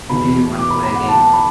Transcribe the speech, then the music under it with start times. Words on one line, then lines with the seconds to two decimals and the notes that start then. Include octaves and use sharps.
Do you want to play a game.
0.09 E2 B2 B5
0.59 D6
0.70 B5
0.83 B5
0.95 F#5
1.08 A5
1.20 A5
1.33 B5